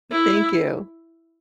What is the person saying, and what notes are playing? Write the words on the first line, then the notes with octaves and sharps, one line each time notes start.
Thank you.
E4